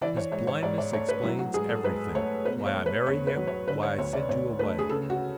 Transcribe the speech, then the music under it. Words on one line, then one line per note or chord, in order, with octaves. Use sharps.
His blindness explains everything--why I marry him, why I send you away.
E3 D5
C#5
G#2 C#5
C#5
G#2 D5
D5
A3 C#5
B4
F#3 E4
F#4
G#2 G#4
A4
G#2 B4
A3 C#5
B2 B4
C#5
A3
B4
E2 C#5
B4
F#3
C#5
D3 B4
C#5
D2 C#5
D5
D2 C#5
A3 B4
G#4
C#3 A4
F#4